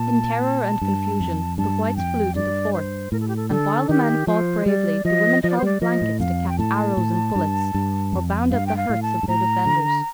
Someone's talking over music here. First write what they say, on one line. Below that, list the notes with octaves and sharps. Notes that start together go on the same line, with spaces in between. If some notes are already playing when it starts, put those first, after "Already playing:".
In terror and confusion the whites flew to the fort; and, while the men fought bravely, the women held blankets to catch arrows and bullets, or bound up the hurts of their defenders.
Already playing: A#2 A5
G2
F2
G2 A5
F2 G5
G2 D5
C5
A2 A#4
A4
G4
A4
D3 A4
D#3 G4
F3 C5
G3 D5
F3 D#5
F3 D#5
D5
C5
G3 D5
F3 D#5
A2
F2 F5
G5
A2 A5
A2
G2
G2
F2
G2 F5
G5
F5
A2
A5
G2
A2 A#5
D3